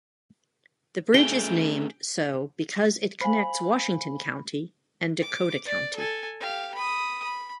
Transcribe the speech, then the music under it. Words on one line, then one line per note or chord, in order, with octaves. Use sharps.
The bridge is named so because it connects Washington County and Dakota County.
A3 C#4 G#4 G5
C5 F5 G#5 B5
D6
D5
A4 G#5
G4 F5
B5 D#6
B5